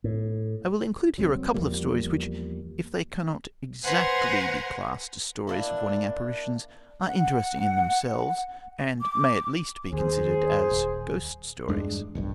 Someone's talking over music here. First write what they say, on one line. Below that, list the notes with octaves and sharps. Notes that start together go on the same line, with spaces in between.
I will include here a couple of stories which, if they cannot exactly be classed as stories of warning apparitions, are interesting in themselves, and may at least be considered as ghost stories.
A2
C2 C3 F#3
E2 F3 G3 A#3
B4 C5 F#5 G#5 A#5 C6
A#3 D4 E4
F#5
D6
D#2 G#4 C5
D#1
E2 G2 G#3 D4
E1 B1 G2